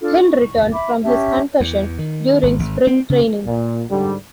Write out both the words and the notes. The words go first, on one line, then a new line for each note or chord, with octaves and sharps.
Hill returned from his concussion during spring training.
D4 F4 A4
C#6
E5 B5 D6
C#4 G4 E5 A5
E2
D#3
G#1
G#1
C4
C#3
A#2
G#2 D3 G3